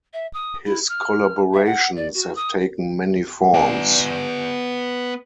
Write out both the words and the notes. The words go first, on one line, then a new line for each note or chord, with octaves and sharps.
His collaborations have taken many forms.
E5
D#6
E4
F6
E5
F#5
D5
F#4
D#6
B3 D5